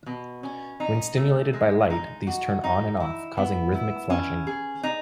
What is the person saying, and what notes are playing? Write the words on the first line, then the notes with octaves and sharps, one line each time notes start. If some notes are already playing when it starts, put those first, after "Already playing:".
When stimulated by light, these turn on and off, causing rhythmic flashing.
B2
C#4
D#4
A3
G#3
D#4
F#4
D#4
E4
B3
E4
C#4
G#4
D#4